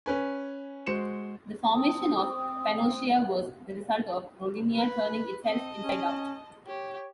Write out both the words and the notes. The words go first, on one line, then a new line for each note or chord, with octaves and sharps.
The formation of Pannotia was the result of Rodinia turning itself inside out.
C#4 B4 G#5
G#3 F#4 C5 C#7 E7
C4 D#6
B4
C4 D#5 A5
C#4
G4 C#5